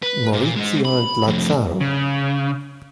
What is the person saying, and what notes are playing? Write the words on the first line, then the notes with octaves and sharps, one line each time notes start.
Maurizio and Lazzaro.
B4
A#2
G#3 D#4
B5
F2 A2
C#3